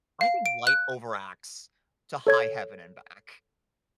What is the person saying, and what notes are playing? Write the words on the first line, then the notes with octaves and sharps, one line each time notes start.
I think Light overacts to high heaven and back.
F5
D7
F#6
A4 C#5 G#6